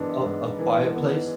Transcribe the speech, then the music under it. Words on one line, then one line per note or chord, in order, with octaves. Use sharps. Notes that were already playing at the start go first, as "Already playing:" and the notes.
Oh, A Quiet Place?
Already playing: G#2 E3 B3 D4
G#2
E3
B3